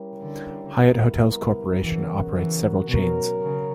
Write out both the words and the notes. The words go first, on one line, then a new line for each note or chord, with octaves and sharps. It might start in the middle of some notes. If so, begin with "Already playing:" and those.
Hyatt Hotels Corporation operates several chains.
Already playing: G3 C#4 E4 G4 A#4
D3
G3 B3 E4 A#4
C#3 E3 F#3 B3 F#4 A#4
E3
B2 F#3 C#4 F#4 A#4
C#3